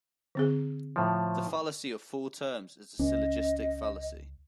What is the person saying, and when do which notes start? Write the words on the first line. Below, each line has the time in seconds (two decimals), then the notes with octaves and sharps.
The fallacy of four terms is a syllogistic fallacy.
0.35 D3 C4 G#4
0.96 A2 F3
2.99 C#2 C#4 D#5